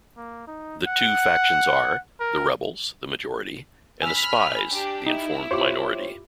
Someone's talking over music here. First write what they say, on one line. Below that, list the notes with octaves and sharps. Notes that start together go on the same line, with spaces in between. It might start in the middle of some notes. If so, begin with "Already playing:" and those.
The two factions are: the Rebels, the majority; and the Spies, the informed minority.
A#3
D#4
F#5
A#4
G#5 B5 E6 F6
D4 G4
D#4 E4
F4 G4 C5 C#5 D6